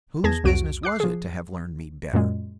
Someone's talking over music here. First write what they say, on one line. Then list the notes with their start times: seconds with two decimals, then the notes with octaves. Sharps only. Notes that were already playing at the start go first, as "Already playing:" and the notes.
Whose business was it to have learned me better?
0.24 E2 G#4 A5 G#6 A#6
0.44 C2 F2 F#4 D7
0.83 D6 F#6 C7
1.00 F3 G#4
2.13 F#2 A#2 G#3